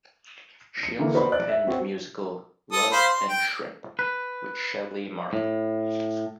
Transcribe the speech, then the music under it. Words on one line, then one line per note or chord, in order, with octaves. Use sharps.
She also penned the musical "Love and Shrimp" with Shelly Markam.
C#7
D3 E3 A#3
D#4 F#4 B4 C5 D5 B5
D5 F#6
E5
C4 F#4
A4 D#6
C5 F5 B5
C6
G5
B4
A2